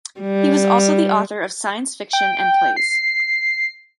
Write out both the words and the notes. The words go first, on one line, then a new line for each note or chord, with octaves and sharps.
He was also the author of science fiction and plays.
G3
G5
C7